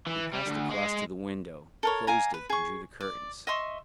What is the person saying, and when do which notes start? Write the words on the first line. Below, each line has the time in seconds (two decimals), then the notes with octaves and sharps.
He passed across to the window, closed it and drew the curtains.
0.07 E3
0.33 G3
0.46 D2
0.70 G#3
1.83 A4 A#4 C#5
2.07 D5 F5 G#5 A#5
2.34 B4
2.50 G#4 C#6
3.01 D5
3.47 D#5 E5 C6 C#6